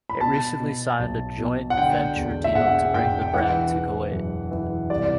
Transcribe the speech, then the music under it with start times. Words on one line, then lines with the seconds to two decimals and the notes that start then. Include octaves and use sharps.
It recently signed a joint venture deal to bring the brand to Kuwait.
0.10 B5
0.21 B2 A5
0.60 B2
1.00 B1
1.39 B2
1.70 F#5
1.77 D3 G5
2.16 E2
2.44 E5
2.55 E1 F#5
2.94 E1 G5
3.22 G5
3.34 E3 F#5
3.73 E3
4.12 F#2
4.51 E3
4.90 C2 D5